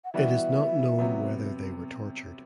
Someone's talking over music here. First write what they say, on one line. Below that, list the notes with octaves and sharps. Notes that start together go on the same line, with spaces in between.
It is not known whether they were tortured.
F#5
E3 G3 B3 F#4 E5
C3 F#3 B3